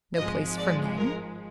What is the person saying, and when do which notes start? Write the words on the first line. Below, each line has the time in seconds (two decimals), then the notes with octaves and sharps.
No place for men?
0.16 G#1 G#2 F3 G#3 D#5
0.57 D5
0.97 A#4